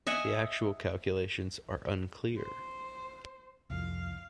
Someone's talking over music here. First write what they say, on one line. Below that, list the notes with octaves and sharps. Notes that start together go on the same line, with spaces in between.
The actual calculations are unclear.
D#5 E5 F#5 G#5
C5
C2 F2 F5